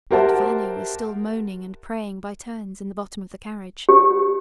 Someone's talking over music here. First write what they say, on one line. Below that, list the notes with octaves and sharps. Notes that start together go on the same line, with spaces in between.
Aunt Fanny was still moaning and praying by turns in the bottom of the carriage.
G4 A#4 C5 E5 F#5 A5
G4